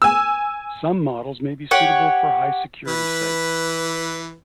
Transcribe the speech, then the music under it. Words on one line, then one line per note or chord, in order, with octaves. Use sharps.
Some models may be suitable for high-security sites.
G#5 E6
G4 C#5 F#5
E3 B4